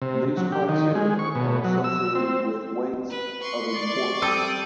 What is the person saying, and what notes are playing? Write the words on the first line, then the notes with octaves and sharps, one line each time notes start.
These criteria are associated with weights of importance.
C3
F#3
G4
D#3
G#3
C#6
B2
F#3
E6
C4
B4
C6 C#6
D5
G3 C4 A4 D#6